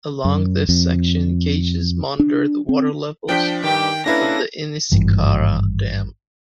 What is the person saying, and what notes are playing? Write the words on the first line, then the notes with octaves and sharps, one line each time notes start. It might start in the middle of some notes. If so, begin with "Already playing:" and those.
Along this section gauges monitor the water levels from the Inniscarra Dam.
F#2
F2
D4
C4
F3 D4 G5 B6
G2 D#3 G4 G5
A#3 C#4 D4 E4 A4 B4 A#6
G#1 G2 E3